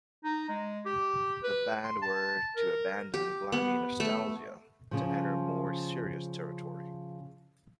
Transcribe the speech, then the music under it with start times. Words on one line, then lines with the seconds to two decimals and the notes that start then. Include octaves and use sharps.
The band were to abandon glammy nostalgia to enter more serious territory.
0.24 D#4
0.48 G#3
0.86 G4
1.43 B4
1.84 C6
2.02 A5
2.56 A#4
3.14 G4
3.52 B3
4.00 A3
4.91 C#3 F3